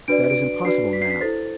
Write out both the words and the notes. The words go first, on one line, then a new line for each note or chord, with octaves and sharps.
But that is impossible now!
D4 F#4 B4 D5 D7
D7
D4 F#4 B4 D5 C7
B6
C7
B6
E4 A4 C5 A6